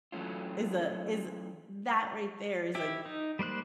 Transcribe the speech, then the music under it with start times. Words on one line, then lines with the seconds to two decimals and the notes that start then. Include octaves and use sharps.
is a is that right there is a
0.12 E3 F#3 A3 C#4 F4
2.75 E4 G4
3.06 D#4
3.39 G3 A#3 C5 F#6